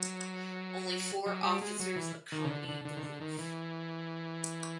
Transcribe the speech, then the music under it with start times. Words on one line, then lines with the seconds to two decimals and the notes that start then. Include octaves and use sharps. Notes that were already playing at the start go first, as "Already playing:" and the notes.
Only four officers accompanied the move.
Already playing: F#3
1.26 F#3
1.43 G3
1.61 G#3
1.80 F#3
1.96 E3
2.32 D#3
2.44 C#3
2.50 D3
2.68 D3
2.85 D3
2.97 D#3
3.03 D3
3.21 D#3
3.39 E3